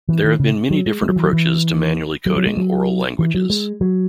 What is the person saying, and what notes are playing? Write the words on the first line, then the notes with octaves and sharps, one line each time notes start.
There have been many different approaches to manually coding oral languages.
E3
D#3
C#3
F#3
G#3
G#3
F#3
E3
F#3
E3
F#3
F#3
G#3
F#3
E3
F#3
G#3
F#3